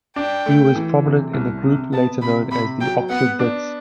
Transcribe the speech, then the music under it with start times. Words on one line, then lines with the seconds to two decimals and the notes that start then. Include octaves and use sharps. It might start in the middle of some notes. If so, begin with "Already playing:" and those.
He was prominent in the group later known as the Oxford Wits.
0.16 D4 G5
0.46 A3
0.75 E3
1.05 C3
1.33 C2
1.63 C3
1.93 B3 A5
2.22 C3 B5
2.51 C3 B5
2.80 F#3 G5
3.09 B3 F#5
3.39 D4